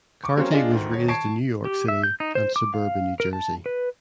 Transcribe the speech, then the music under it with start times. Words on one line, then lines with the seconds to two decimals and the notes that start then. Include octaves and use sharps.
Carty was raised in New York City and suburban New Jersey.
0.24 C#6 D6
0.37 F#3 A#3 C4 C#4 C5 C#5
0.52 D4 F4 G#4 D#5
0.71 D2 D#3
0.91 D#1 C#5
1.08 A5 C#6 G#6 C7 D7
1.65 G4
1.88 E5
2.03 G6
2.20 D#4
2.35 C5
2.56 D6
2.74 F5
3.20 A#4
3.33 A5
3.66 B4